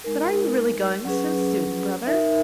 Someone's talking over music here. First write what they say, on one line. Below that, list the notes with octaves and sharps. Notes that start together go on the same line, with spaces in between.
"But are you really going so soon, brother?"
G#3 D#4 A#4
F#3 C#4 G#4 B4
D#4 A#4 E5